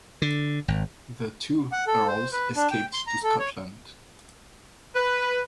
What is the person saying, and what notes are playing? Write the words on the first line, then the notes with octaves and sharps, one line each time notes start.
The two Earls escaped to Scotland.
D3
G#1
F#5
A4
C5
B4
D4
G5
C6
A#5
A4
C#5
B4